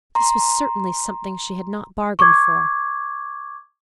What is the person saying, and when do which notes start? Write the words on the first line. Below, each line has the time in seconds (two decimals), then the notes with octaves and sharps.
This was certainly something she had not bargained for.
0.15 A#5 C6
2.19 C#6 D6 G#6